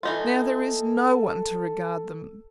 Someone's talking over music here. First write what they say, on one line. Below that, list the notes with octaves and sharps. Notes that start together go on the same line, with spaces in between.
Now there is no one to regard them.
E3 D#4 F4 A4